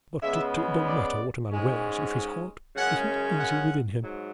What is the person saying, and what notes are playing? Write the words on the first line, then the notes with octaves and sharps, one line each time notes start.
"But it don't matter what a man wears if his heart isn't easy within him."
C#3 G#3 B3 E5
D5
G#2 G#3 C#4
F#2 C#3 G#3 C#4 F#5
F#5
G#2 F#3